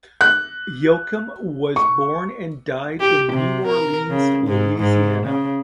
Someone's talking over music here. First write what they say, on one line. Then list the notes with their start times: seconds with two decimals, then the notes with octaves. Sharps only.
Yochim was born and died in New Orleans, Louisiana.
0.21 F#6
1.76 C#6
3.00 G4
3.32 C3
3.66 A#4
4.10 C#3
4.47 G#2
4.79 G#2
5.26 C#3